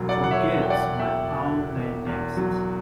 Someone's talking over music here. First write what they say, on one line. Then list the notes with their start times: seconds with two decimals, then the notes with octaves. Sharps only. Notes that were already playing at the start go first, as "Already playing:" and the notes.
Forget my own name next.
Already playing: E1 F#3
0.09 D5 F#5
0.24 E1 F#5
0.31 C#5 E5
0.54 E2 F#5
0.62 G5
0.70 D5 F#5
0.85 E2
0.99 E5 G5
1.15 E2
1.45 E1
1.76 E1
2.07 E2
2.37 F#3